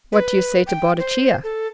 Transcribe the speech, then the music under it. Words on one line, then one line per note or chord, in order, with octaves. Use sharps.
What do you say to Boadicea?
B4
G5
C5
A4